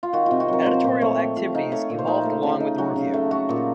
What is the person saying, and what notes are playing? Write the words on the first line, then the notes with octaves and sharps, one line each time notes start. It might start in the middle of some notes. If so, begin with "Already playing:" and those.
Editorial activities evolved along with the review.
F4
D#3 F#4
C3 F4
F#4
F#3 A#4
F3 C5
A#2 C5
A3 C#5
C4
F3 F5
D#4 F5
A3 C#5
A#2
C5
D#4
A3
C#3
D#4
F#3 F#4
C#3
A3
A3 F#4
A#2